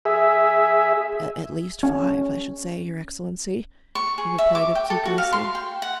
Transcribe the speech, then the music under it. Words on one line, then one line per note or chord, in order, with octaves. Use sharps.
"At least five, I should say, your Excellency," he replied obsequiously.
G#4 E5
C#4
C#6
G#4
E5
D6
G5
A4
F#4
F5
C6
G5
F#5